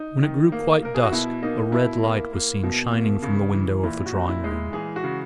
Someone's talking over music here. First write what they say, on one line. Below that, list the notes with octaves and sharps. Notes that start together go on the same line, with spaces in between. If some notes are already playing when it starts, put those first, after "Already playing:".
When it grew quite dusk a red light was seen shining from the window of the drawing-room.
Already playing: D#4
D#3
A#3
A#3 A#4
G#4
F#4
B2 E4
A#3 D#4
B2 E4
A#3
A#3
B2
A#3
C#3
E3
A#2 E4
F#4
A#2
E4
G#3
E4
E3 G#4
F#4
C#3